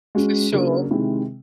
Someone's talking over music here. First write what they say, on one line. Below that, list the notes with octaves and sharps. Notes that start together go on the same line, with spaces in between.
For sure.
G#3 C#4 F#4
C#3 F#3 A#3 D4
C3 D#3 G#3 C4 E4